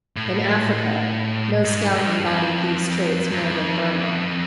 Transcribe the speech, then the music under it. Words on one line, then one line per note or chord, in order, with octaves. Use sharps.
In Africa, no scout embodied these traits more than Burnham.
A2
G#2
G2
F2
F#2
F2